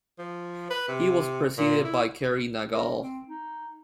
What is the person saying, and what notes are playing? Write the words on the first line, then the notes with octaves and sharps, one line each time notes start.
He was preceded by Kerry Nagel.
F3
B4
C3
A#2
E4
A#4
C4
D#4